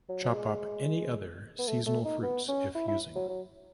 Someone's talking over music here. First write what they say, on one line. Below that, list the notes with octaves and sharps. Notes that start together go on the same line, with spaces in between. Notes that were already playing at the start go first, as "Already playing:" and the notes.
Chop up any other seasonal fruits if using.
F#3
F#3
G#3
B3
A3
A3
D#4
B3
C#4
E4
E4
F#3
F#3